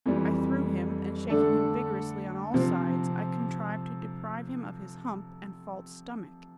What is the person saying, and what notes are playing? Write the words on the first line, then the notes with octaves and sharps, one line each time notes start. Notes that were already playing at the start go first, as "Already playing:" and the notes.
I threw him, and shaking him vigorously on all sides I contrived to deprive him of his hump and false stomach.
F2 E3 G3
D3 A3 D4 A4
C3 F3 C4